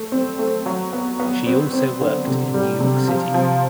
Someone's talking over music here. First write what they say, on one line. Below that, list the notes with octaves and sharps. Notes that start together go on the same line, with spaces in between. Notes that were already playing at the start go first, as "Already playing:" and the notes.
She also worked in New York City.
Already playing: A3
C4
A3
F#3
B3
B3
C4
C4
D3
C3
G3
C3
F3
F3